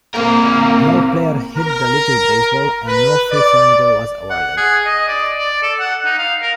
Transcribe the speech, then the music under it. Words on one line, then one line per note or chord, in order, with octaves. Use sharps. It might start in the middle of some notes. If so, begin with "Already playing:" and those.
No player hit the little baseball, and no free furniture was awarded.
A#3 C4 A#4
A#4
B4
D5
F#5
G#4
D#5
D5
D5
A4
F#5
D#4
F5
A#4